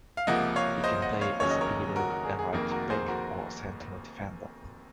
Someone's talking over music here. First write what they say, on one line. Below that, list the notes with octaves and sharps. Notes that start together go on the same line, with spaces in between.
He can play as either a right back or a central defender.
F5
C#2 C3 F3 A#3 D#5 F#5
C#5 F5
C5 D#5
D#5 F#5
C#5 F5
F1 D#2 C#3 F#3 C#4 C#5
D#5
A#4 C#5
F#4 A#4
F#4
G#4
G#4
F1 F2 D#3 A#3 G#4
F#4 A#4
G#4 C5
F#4 A#4